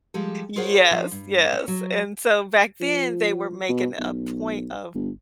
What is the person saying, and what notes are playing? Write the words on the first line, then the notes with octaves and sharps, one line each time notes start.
Yes, yes, and so, back then, they were making a point of,
F3 G3 G#3 G4 A4
F4 G#4 A#4 C5 C#5 F#5
F3 F4
G2
C#4
F#3
F3
B2
B1
G1